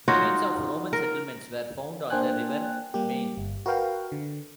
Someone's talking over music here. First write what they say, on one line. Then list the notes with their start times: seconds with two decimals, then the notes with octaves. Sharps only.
Remains of Roman settlements were found on the river Main.
0.08 D#4 F4 F#4 C#5
0.93 A#4
2.10 A#3 D4 C5 G5 G#5 F#6
2.94 G3 A#3 G4
3.37 G1
3.66 F#4 A#4 B4 F5 G5
4.12 D3